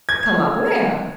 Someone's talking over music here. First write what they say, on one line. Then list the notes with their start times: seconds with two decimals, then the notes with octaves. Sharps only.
"Come up where?"
0.09 G#6